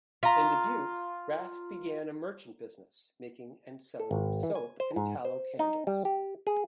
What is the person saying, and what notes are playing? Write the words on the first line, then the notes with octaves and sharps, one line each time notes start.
In Dubuque, Rath began a merchant business, making and selling soap and tallow candles.
F4 A#5 B6
A4
G#1
E3
G#5
C5
G#2
C5
D#4
G3
G4
G#4